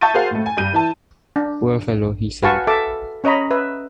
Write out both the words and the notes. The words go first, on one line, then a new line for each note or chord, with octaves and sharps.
"Poor fellow," he said.
E5 A5 C#6 G6 A6 D#7
F#4 G#4 A#4 C5 F5 F#5
A2 A3
G#5
G2 G6 D#7
E3 E4 A5
D4
F#4 B4 F5 G#5 A5 C#6
A4 E5 A5 D6
C#4 C#5 D#5 A#5 B5
B4 E5